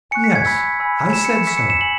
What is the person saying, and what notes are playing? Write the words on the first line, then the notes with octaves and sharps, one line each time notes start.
'Yes, I said so.
G#5 C#6 F#6 C#7
B6
G#6
G#5 B5 E6 B6
G#5 B5 E6
B5 E6 E7
C#7
E7
G#5 C#6 E6 B6
C#7
E7
G#5 E6 F#7